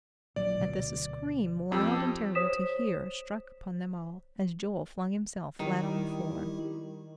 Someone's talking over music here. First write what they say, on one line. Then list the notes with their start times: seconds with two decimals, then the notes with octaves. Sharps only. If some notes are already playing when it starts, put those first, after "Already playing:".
At this a scream, loud and terrible to hear, struck upon them all, as Joel flung himself flat on the floor.
0.36 A#1 F#3 D5
0.55 D2 B2
1.72 F2 G4 E6
2.35 C5 C#5 D#6 B6 E7
5.59 D#3 G3 E4 G4